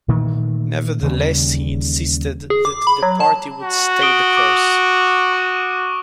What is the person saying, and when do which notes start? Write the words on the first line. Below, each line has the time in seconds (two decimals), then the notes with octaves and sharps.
Nevertheless, he insisted that the party would 'stay the course'.
0.08 A#2 D#3 E3 A3
1.03 D#2 C#3 E3 G3
2.50 G#4
2.65 D6
2.87 B5
3.03 F#3
3.20 A5
3.62 F#4
4.02 D#6 D7 G7
4.37 D6
5.33 C#6